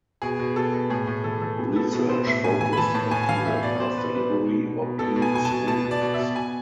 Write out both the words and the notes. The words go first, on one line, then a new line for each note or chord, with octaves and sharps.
Research focused on either fast delivery or beam smoothness.
B2 G#4
B2
B2 A4
B2
A2 G#4
A2
E3 A4
E3 A4
B2 G#4
B4
B2 A4
B2 B4
B2 C5
A2 E5
A2 G#5
E3 G#5
B5
E3 A5
A2 A5
A2 G#5
G#5
E3 F5
E3 E5
B2 D5
B2 C5
B2 B4
B2 B4
B2
B2
B2
B2
B2 A4
B2
G#5
B2 G#5
A5
B2
B2 A5
B2
D5
B2
B2 E5
B2 G#5